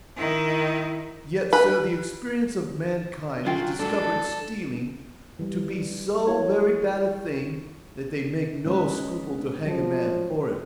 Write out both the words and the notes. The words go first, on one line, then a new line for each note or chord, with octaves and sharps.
Yet, Sir, the experience of mankind has discovered stealing to be so very bad a thing, that they make no scruple to hang a man for it.
D#3 E4
B4
F#3 C#4 F4 G5
G#2 F#3 D4 A4
E3 G3
E4 F#4 C#5
G#3 C#4 B4
F3 F#3